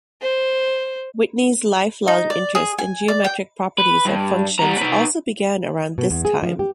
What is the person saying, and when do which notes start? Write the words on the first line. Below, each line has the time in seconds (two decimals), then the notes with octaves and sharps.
Whitney's lifelong interest in geometric properties of functions also began around this time.
0.22 C5
2.08 D#4
2.30 D5
2.55 G#4
2.78 G#5
3.08 D5
3.24 G5
3.78 B4
4.06 G2
4.59 G3 A#5
4.78 D#4 B4
5.98 B2
6.10 E2
6.25 G#4
6.43 F3
6.59 G4